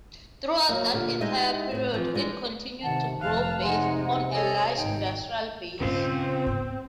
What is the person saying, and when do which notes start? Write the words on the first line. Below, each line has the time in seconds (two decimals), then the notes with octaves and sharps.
Throughout that entire period, it continued to grow based on a large industrial base.
0.69 F#3 A#3
0.93 A#2 D3 G4
1.21 G#3 D#4 E4 G4 D#5 E5
1.71 A2 C4
1.93 E3 F3 C4
2.15 G3 G#3 D4
2.83 C3 D#3 F#5 A5
3.22 F1 F5 A5 F#6
3.63 C3 G#3 D#4 F#5 G#5 C6
4.02 F#5
4.32 A4 C#5 D#5 G#5
4.76 G#1 D#4 G5
5.80 G2 A#2 C#3 C4 F4
6.46 G#2 B3